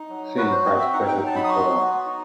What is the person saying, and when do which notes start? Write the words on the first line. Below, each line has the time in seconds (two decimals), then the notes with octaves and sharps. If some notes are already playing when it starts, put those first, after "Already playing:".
Think I'd better be going.
Already playing: D#4
0.09 F#3
0.37 F#4 B4
0.51 C5
0.65 C4 D#5
0.80 E5
0.93 D#4 F#5
1.08 G5
1.22 F#3
1.27 A5
1.36 B5
1.44 D#6
1.49 F#4 C6
1.78 B3
2.05 D#4